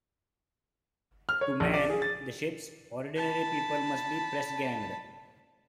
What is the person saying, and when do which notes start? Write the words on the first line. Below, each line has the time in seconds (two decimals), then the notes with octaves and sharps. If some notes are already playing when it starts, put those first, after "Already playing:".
To man the ships, ordinary people must be press-ganged.
1.29 F6
1.41 C#5
1.60 A#1
1.74 D5
1.90 G#4
2.02 A6
3.16 A5 B5